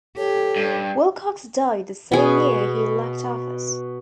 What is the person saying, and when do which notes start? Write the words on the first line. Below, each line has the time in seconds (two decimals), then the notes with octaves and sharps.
Wilcox died the same year he left office.
0.17 G4 A4 C#5
0.56 G2
2.12 B2 G#4